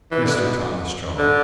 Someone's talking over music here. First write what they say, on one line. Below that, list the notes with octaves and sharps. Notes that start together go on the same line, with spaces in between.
"Mr. Tom Ostrello."
E3
D3
B2
D3